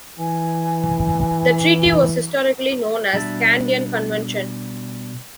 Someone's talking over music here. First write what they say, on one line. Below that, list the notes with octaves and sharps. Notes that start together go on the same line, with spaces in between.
The treaty was historically known as "Kandyan Convention".
E3 G#5
B2 G3 D4 E5 A5